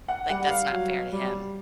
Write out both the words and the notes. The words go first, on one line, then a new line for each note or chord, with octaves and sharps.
like, that's not fair to him.
F#5
G3 F#5
F5
F#3
G3